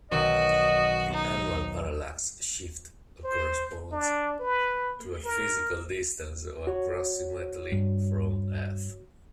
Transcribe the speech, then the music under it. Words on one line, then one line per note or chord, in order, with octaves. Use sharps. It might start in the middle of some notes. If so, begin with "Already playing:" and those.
The annual parallax shift of corresponds to a physical distance of approximately from Earth.
B1 D#3 F#4 D#5 E6
D#4
C5
D4
B4
A#4
F#4 C#5
G2